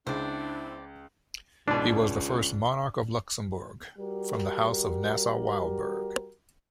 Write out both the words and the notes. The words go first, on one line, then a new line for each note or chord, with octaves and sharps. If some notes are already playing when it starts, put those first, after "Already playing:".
He was the first monarch of Luxembourg from the House of Nassau-Weilburg.
C#2 B3 C4 D4 E4 C5 D5
C#2 G#2 B2 D4
G3 F#4 G4 A#4